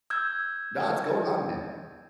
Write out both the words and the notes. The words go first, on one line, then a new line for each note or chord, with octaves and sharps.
No, it's going on, man.
E6 G6 G#6